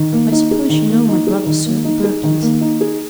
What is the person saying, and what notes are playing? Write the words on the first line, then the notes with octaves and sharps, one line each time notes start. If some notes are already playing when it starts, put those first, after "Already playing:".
"I suppose you know my brothers, sir, the Berkleys."
Already playing: D#3
A#3
D#4
G#4
D#3
A#3
D#4
G#4
D#3
A#3
D#4
G#4
D#3
A#3
D#4
G#4